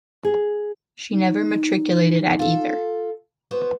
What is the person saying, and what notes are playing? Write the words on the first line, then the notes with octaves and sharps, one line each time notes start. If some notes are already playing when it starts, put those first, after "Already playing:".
She never matriculated at either.
G#4
D#4
F4 A4
B3 F#4 C5